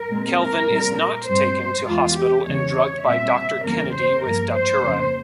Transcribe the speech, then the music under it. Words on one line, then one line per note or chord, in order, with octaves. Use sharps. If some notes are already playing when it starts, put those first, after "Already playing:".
Kelvin is not taken to hospital and drugged by Doctor Kennedy with Datura.
Already playing: A#4
A#2 G#3 C4
A#4
A#2 G3 C4
A#4
G2 G3 C4 C5
E2 E3 G#3 F4
G4
E2 C#3 E3 G#3 C#5
A#2 G3 C4 E5
E2 C#3 G3 A#3 A#4
C5
G2 F3 A#3 A#4
C5
F2 C#3 F3 A#3